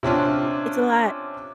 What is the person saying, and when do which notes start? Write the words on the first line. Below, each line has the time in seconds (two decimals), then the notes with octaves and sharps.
it's a lot
0.03 C3 C#4 D4 F4